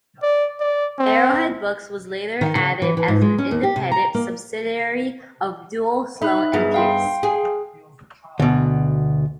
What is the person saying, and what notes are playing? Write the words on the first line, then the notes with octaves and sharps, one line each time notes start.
Arrowhead Books was later added as an independent subsidiary of Duell, Sloan and Pearce.
D5
D5
C4
D#3
C#3
E3
E3
G#2
G#3
C#4
D#2
G4
C3
A#5
A#3
D#4 E5 B5 F#6
G2 B3 D#4 G#4 E5
F5 G5 C6
G#4
D2 B2